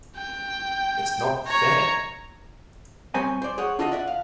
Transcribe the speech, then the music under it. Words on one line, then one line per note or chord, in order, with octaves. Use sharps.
It's not fair!
G5
C#5 A#5
B2 G3 C4 C5 C#5 G#5
C5 D5
G#4 C#5 F#5
D4 F4 A4 D#5 E5 F#5
D5 E5 F#5
F5